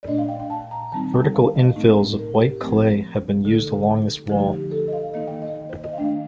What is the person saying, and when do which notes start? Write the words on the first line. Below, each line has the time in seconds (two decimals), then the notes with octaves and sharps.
Vertical infills of white clay have been used along this wall.
0.03 D5
0.08 A#2 A3 D4 D#5
0.18 F5
0.29 G5
0.40 G5
0.50 A5
0.71 A#5
0.92 D#3 G3 C4 D#4 A5
1.13 G5
1.34 F5
1.55 D#5
1.76 A2 A3 C4 D#4
2.19 A#4
2.39 G4
2.61 F3 A3 C4
3.45 D3 A3 D#4 A4
4.29 D3 F3 A3 D#4 G4
4.50 G4
4.71 A4
4.88 D#5
4.93 F5
5.14 D#3 A#3 D#4 D#5
5.27 G5
5.42 D#5
5.69 C5
5.84 D#5
5.93 F5
5.98 D#3 A3 D4 G5